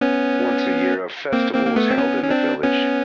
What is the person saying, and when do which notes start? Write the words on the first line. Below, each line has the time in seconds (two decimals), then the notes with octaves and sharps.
Once a year a festival was held in the village.
0.01 B3 C#4
1.32 A#3 C4
1.54 A#3 C4
1.66 A#3
1.76 A3 B3
1.91 C4
1.98 B3 C#4
2.24 C#4
2.30 C4 D4
2.63 B3 C#4